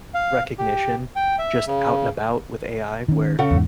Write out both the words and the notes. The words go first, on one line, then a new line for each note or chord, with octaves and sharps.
recognition. Just out and about with AI, where
F5
G4
G5
E5
C#3
D#3 C#4
C#3 A4 F#5
E2 G#2